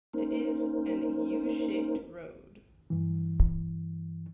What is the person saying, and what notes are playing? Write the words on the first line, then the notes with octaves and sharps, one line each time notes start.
It is an U-shaped road.
A#3 C#4 D#4 A#4 C5
G2 E3